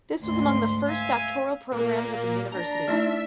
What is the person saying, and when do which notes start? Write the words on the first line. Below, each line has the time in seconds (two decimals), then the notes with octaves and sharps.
This was among the first doctoral programs at the university.
0.21 D2 G#2 C6
0.86 E5 F5 G#5
1.72 A#2 A#3 A#4
2.52 D4 A#5
2.88 A3 D#4 E4 E5